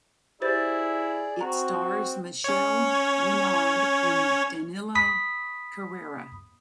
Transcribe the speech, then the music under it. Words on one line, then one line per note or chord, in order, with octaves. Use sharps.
It stars Michelle Renaud and Danilo Carrera.
E4 G4 G#4 C5 D5 A6
C4 F#4 A#5
C#4 C#5
B5 D#6 B6